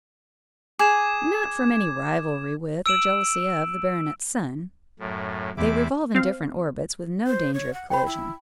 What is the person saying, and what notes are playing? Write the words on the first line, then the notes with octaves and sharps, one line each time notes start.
Not from any rivalry with, or jealousy of, the baronet's son: they revolve in different orbits, with no danger of collision.
G#4 D6 G#6 E7
E6 D7 E7 F#7
F#2 A2
E2 C3 E4 D6
C4 F5
C5
C#5
F#5
C5 G5 B5
E4